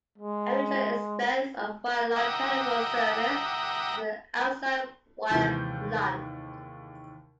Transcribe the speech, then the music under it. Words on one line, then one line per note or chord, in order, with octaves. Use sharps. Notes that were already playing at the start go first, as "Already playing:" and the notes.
A major expense of wire-line telephone service is the outside wire plant.
G#3
E5 F#5 G5 A#5 D6 D#6
D#2 C3 E3 G#3 G6